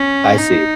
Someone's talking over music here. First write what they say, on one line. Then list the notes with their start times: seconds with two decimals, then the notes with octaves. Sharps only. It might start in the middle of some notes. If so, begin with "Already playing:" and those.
I see.
Already playing: C#4
0.38 D#4